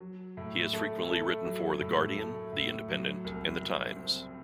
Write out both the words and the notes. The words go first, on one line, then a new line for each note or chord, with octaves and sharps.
He has frequently written for "The Guardian", "The Independent" and "The Times".
F#3
A2
A3
A3
F#3
A2
A3
A2
F#3
C2
C2
C4